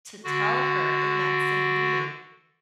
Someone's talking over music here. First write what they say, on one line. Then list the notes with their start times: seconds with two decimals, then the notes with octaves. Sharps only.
to tell her in that same meeting,
0.24 D3 F#4